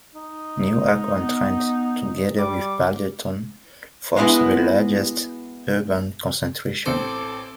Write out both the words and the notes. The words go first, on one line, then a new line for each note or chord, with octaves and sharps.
Newark-on-Trent, together with Balderton, forms the largest urban concentration.
D#4
B3
G3 D6
G#3 A3 B3 E4 F#4
A1 C4 A4 C5 D6 C#7